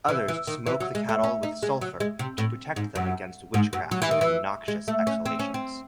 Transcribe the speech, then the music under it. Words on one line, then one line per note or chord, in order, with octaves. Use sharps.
Others smoke the cattle with sulfur to protect them against witchcraft and noxious exhalations.
E3
E3
D#3
E3
F#3
G#3
A3
C#4
D#4
G#3
F#3
G#3
C3
A2
G#2
F#2
G#2
F#2
F#3
E3
D#3
E3
G#3
A3
C#4
C4
C#4
C4